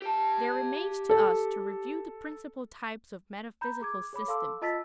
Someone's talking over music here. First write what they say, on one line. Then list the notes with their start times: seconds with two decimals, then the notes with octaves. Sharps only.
There remains to us to review the principal types of metaphysical systems.
0.02 G4 A5
1.09 A4
3.61 A#5 B5 G6
3.81 G#4 D6 G#6
4.13 G#4 C#5 B5 D6
4.28 A4 F5 A5 C6 D6 E6
4.62 F4 D#5 A5 E6 A6 B6